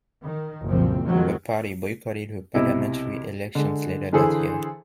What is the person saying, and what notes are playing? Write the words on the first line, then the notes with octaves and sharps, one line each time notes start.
The party boycotted the parliamentary elections later that year.
D#3
F#1 C2 A#2 F3 C4
F2 D#3 F3 F#3 G#3
B1 C3 E4 D#5
D3 G#3
D3 E3 E4 G#4 A4 C5